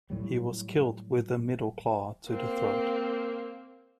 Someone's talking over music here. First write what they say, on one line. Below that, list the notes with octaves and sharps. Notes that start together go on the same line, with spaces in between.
He was killed with a middle claw to the throat.
A2 F#3 G3
A#3 C4